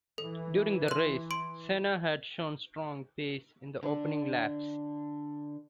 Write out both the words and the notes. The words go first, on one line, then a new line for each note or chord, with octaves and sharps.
During the race, Senna had shown strong pace in the opening laps.
E3 A4
C6 F#6
C6 D7
D3 D4